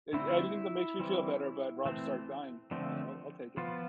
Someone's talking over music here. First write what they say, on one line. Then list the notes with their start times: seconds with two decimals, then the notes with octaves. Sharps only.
a anything that makes me feel better about Rob Stark dying, I'll I'll I'll take it.
0.13 D3 A3 C4 E4
0.99 E3 G3 C4
1.86 E3 A3 C4
2.71 D3 F3 A3 C4
3.57 F3 B3 F4